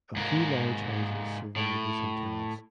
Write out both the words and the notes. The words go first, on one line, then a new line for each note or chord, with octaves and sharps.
A few large houses survived as hotels.
G#2 A#3
A2